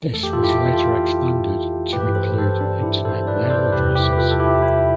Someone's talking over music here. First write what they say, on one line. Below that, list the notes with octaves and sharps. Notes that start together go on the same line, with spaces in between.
This was later expanded to include Internet mail addresses.
F2 E3 A3 A4
G4
F4 A4
E4 G4
F4 A4
G2 E3 A3 G4 B4
B4
A4 C5
A4 C5
D4
E4
A4 C5
B4 D5
D5
A4 C5
E2 C3 G3 G4 B4
E4 G4
B4
F4 A4
A4
E4 G4
E4